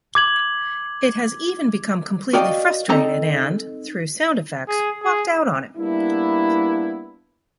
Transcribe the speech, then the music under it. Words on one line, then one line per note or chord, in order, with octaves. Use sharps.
It has even become completely frustrated and, through sound effects, walked out on him.
D6 G#6 F#7
F#4 A#4 D5 D#5 F5 G5
C4 D#4 A4 D#5 A#5
G#4
G#4
G3 A#3 B3 D4 E4